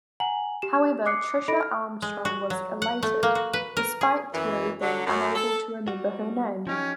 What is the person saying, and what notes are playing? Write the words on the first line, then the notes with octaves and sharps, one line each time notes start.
However, Tricia Armstrong was elated, despite Terry being unable to remember her name.
F#5 G#5 A#5 F#7
G4 E7
D6 D#6 F#6 C7 C#7
D#4 A4 D#5 B5 A#6 D7
F6
G#3
F#4
F#3
F#5
A3
A#3
F#4
B4
A#4
G#4
F#2 E3
D3 F#3
F#2
A4
G3 F#4
F3 C#4 D#4 G4